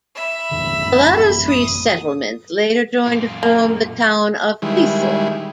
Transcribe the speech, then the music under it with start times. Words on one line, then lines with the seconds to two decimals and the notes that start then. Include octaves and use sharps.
The latter three settlements later joined to form the town of Cleethorpes.
0.15 E5 B5
0.51 G1 E2 D3
0.85 A1 F#2 A#3
1.48 D#6
3.07 F#2 A#2 F4
3.43 A#3
4.62 D#3 G3 G#3 E4